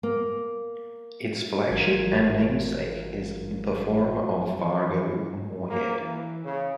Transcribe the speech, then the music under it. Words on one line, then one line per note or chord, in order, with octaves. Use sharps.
Its flagship and namesake is "The Forum of Fargo-Moorhead".
A#3
G#1 E3 F4 A#4 G#6
E3 F3
A#3
E3
C#3